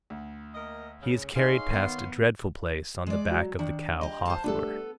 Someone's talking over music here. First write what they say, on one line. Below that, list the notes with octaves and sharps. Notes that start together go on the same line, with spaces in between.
He is carried past a dreadful place on the back of the cow Hathor.
D2
A#3 A#4 D#5
C#3
D#4 G#4 C#5 F5 C6
D#3 B3
G#3 D5
F#3
D#3 D4
G4 D#5
C5 F5 A5
G3 A3 B3 D4 A4